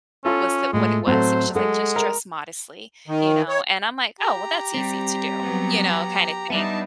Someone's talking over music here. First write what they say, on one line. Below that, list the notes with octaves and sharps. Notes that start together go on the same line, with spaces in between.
was tha what it was, it was just, like, just dress modestly, you know, and I'm like, "Oh, well, that's easy to do," you know, kinda thing.
C#4 F4 A4
A2 G#3 A3
A2 F#3 A3 C4 C5
G#3 A4 F#5
A#4
D#3
C#5
G4 A#5
G3 C4
F#3 B3
G3 B3 D4 D#4 E5 A5